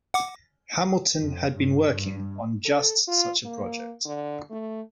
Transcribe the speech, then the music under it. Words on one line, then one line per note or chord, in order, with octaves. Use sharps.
Hamilton had been working on just such a project.
F#5 D6
F2
G2
G2
A4
F4
A#3
D3
A3